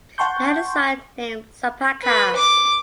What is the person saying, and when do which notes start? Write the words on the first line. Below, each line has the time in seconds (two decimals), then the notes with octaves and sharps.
They had a son named Sapaca.
0.18 F#5 G5 A5 C6 C#6 G6
2.02 B4
2.36 D6